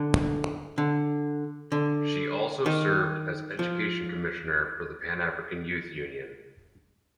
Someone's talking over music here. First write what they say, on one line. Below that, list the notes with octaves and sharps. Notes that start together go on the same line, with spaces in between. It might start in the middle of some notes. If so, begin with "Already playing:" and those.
She also served as education commissioner for the Panafrican Youth Union.
Already playing: D3
D3
D3
D#3
F3